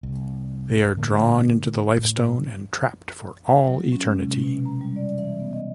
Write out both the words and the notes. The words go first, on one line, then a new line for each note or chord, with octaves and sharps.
They are drawn into the Lifestone and trapped for all eternity.
C2
A2 D3 A3 A#3
A2
F#3
C#4
G#3
C3
C#4
B2
A#5
G3
D5
E3
B3
D#5